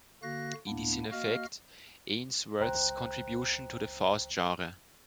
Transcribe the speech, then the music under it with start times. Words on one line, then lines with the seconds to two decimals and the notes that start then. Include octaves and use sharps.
It is in effect Ainsworth's contribution to the Faust genre.
0.23 D3 A#3 F#4 F5 F#6 A#6
0.67 D2 A2 A#3 B3 D4 E4
1.11 A#3 F#4 D#5 F5 F6
2.60 G#1 C#2 C5 G5 A#5 F#6